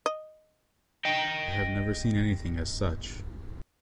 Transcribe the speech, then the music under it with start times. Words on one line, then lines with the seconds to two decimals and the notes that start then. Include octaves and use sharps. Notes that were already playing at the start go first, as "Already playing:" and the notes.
I have never seen anything as such.
0.06 D#5
1.05 D#5 G5